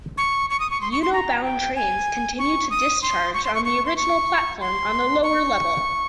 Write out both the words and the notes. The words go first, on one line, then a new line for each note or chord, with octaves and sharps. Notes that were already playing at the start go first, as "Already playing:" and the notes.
Ueno-bound trains continue to discharge on the original platform on the lower level.
C#6
C#6
D#6
C#6
C6
C#6
C6
A#5
G5
G#5
C#6
D#6
C6
C#6
C6
C#6
C#6
C6
C#6
C6
C#6